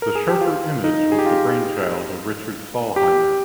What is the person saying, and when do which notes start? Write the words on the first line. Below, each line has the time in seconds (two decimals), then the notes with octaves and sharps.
The Sharper Image was the brainchild of Richard Thalheimer.
0.02 A#4
0.15 G#4
0.29 G4
0.41 F4
0.84 D#4
1.12 G#4
1.19 G4
1.26 F4
2.96 G4